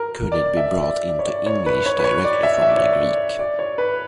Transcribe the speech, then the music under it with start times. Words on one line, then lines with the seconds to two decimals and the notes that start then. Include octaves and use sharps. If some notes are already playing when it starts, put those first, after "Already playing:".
Could it be brought into English directly from the Greek?
Already playing: A#4
0.32 D5
0.57 E5
0.82 D5
1.09 D5
1.19 C#5
1.27 D5
1.46 C#5
1.66 B4
1.86 C#5
1.99 B4
2.04 C#5
2.24 D5
2.43 E5
2.62 E5
2.69 D5
2.77 C#5
2.84 D5
3.01 D5
3.39 D5
3.59 C#5
3.78 B4